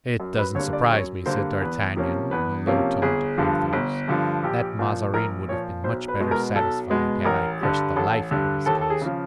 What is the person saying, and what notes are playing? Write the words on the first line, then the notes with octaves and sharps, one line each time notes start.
"It doesn't surprise me," said D'Artagnan, in a low tone to Porthos, "that Mazarin would have been much better satisfied had I crushed the life out of his councillor."
F#2
B4
D3 G3 A#3 C#5
D5
F#2 C#5
D3 G3 A#3 C5
E2 B4
C3 F3 A#3 C#4
E2 B4
C3 F3 A#3 C#4
G1 G#4
G2 D3 F3
G1
G2 D3 F3
A#1 G4
A#2 F3
A#1 A#4
A#2 F3 C#5
B1 C5
B4
B2 G#3 B3
A#4
B1 A4
B2 G#3 B3
A1 A#4
G2 D3 G3
A1 A4
G2 D3 G3
D#2 A4
A4
G#4
C#3 F3